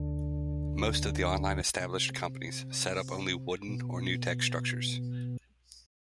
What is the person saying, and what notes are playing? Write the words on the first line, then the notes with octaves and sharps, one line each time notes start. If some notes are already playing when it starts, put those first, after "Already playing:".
Most of the online established companies set up only wooden or nutec structures.
Already playing: D2 D3
C3
B2